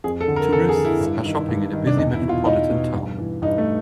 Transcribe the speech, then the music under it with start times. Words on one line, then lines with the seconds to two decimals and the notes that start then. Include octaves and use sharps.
Tourists are shopping in a busy metropolitan town.
0.04 F2 G#4
0.21 A4
0.28 D3
0.36 A#4
0.52 F2 A4
0.69 G#4
0.77 D3
0.85 E4
1.00 G2
1.25 D#3
1.49 G2
1.73 D#3
1.87 D4
1.97 E2 D#4
2.13 E4
2.22 B2
2.29 F4
2.45 E2 D#4
2.70 B2
2.94 G2
3.18 E3
3.42 G2 D#4
3.58 A3